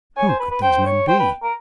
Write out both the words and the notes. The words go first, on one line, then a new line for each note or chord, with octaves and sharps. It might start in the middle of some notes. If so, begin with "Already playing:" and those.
Who could these men be?
C#5 G#5
C5
B4
B4
C5 G5
C#5
C5 G5
B4
A#4